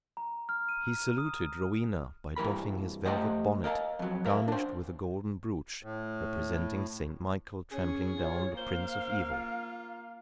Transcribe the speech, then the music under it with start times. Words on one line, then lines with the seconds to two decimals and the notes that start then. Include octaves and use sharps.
He saluted Rowena by doffing his velvet bonnet, garnished with a golden broach, representing St Michael trampling down the Prince of Evil.
0.17 A#5
0.49 F6
0.69 D#7
1.18 D#6
2.36 G2 E3 A#4 B5
3.05 A3 G4 C5 D#5 F#5
3.64 A#4 D#5 F5 A#5
3.99 F2 F#3
4.26 A#4 E5 F5
4.48 D4 C5
5.83 A2
7.72 C#4 G#4 C#5
8.20 F4 C#5
8.57 A#3 C5 F5
9.33 F4